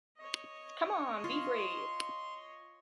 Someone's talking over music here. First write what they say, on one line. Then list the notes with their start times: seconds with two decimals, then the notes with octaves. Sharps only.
Come on, be brave!
0.17 C#5 D#5
1.24 F4 C6